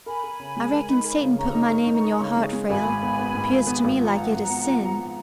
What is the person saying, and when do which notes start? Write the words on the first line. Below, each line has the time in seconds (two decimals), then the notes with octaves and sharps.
"I reckon Satan put my name in your heart, Frale; 'pears to me like it is sin."
0.06 A#4 G#5 B5
0.24 A#4
0.40 C#3
0.57 G#3
0.72 A#4
0.89 D#4
1.05 A#4
1.21 C#3
1.38 C#3 A#5 C#6
1.55 D#4
1.70 A#4
1.87 D#4
2.04 D#4
2.21 C#3
2.37 G#3
2.53 G#3
2.69 G#1 G#5 B5
2.85 G#2
3.03 B3
3.19 B3
3.35 G#2
3.51 G#1
3.67 B3
3.84 G#1
4.00 F3 F#5 A#5
4.16 F3
4.33 G#1
4.50 B3
4.65 F3
4.82 B3